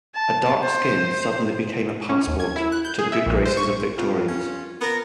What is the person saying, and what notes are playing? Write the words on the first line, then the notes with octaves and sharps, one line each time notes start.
A dark skin suddenly became a passport to the good graces of Victorians.
A5
C5
C#4
D#2
G#6
E4
F#6
G6
G#4
E5
A#1
C5
C#6
F2 F4
C#4
B3 A#4